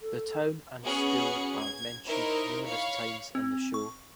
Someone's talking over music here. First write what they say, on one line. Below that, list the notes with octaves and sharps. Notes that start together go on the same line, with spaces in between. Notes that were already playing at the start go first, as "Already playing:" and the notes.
The town and school are mentioned numerous times in the show.
A4
B3 C#4 F#4 G#4 B4
G#6
D#4 E4 A#4 C5 C#5
C#5 F5 B5
C4
C#6